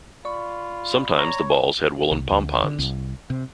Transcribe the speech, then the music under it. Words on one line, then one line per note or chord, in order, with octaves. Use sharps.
Sometimes the balls had woolen pompons.
F4 D5 B5 C#6
C#5 A#5
C2
D2
D3
C2
C3